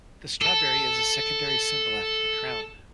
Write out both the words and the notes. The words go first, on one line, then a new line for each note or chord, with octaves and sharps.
The strawberry is a secondary symbol after the crown.
A4 A5